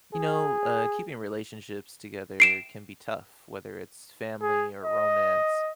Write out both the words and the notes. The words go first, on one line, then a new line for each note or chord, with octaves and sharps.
You know, uh, keeping relationships together can be tough, whether it's family or romance.
G#4
C7 D7 E7
G#4
D#5